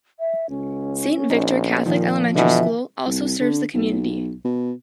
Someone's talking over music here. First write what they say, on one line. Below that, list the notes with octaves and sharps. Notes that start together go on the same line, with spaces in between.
Saint Victor Catholic elementary school also serves the community.
E5
C#2 C#4
A#1 D#4
A#2 D#3 F3
B2 D3 E3 E5
C2
D3
B1
B2